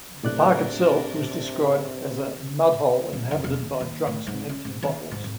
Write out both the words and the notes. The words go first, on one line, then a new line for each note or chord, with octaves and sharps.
The park itself was described as a "mudhole inhabited by drunks and empty bottles".
A2 C3 D4 A#4 D5 F#6
A#1
F2
E1
D#2
D#2
A2
G#2
C#4
G#2
D#2
G#2
G#1